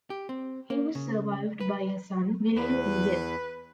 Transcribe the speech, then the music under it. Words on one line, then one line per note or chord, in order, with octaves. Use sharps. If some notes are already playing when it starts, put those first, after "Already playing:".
He was survived by a son, William E. Webb.
G4
C4
A#3
C#3
B4
E2 B4